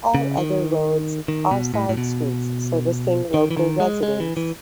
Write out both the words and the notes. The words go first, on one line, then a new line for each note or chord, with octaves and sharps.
All other roads are side streets servicing local residents.
C#3
D#3
D#3
B2
A2
A2
B2
D#3
E3
D#3
G#3
G#3
E3
E3